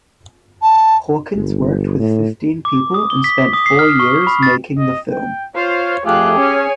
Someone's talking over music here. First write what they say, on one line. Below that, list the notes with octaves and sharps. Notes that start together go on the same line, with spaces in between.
Hawkins worked with fifteen people and spent four years making the film.
A5
G1
A2
D6
D#6
G7
B6
D#6
C7
F6
C#6
B5
A6
D#5
G5
F4 C5 C#5 F5
F2 A3 F4 G4 G#4 F#6
C#4 C#5 G#5